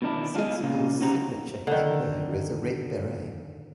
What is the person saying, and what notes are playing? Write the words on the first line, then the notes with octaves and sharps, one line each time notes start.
Sensible's signature headwear is a red beret.
B2 D#3 D4 E4
D4 F4 F#4 G#4 D#5
A#2 C#3 A#3 F4
C#4 D#4 F#4 G4 C5 A#5
D3 D#3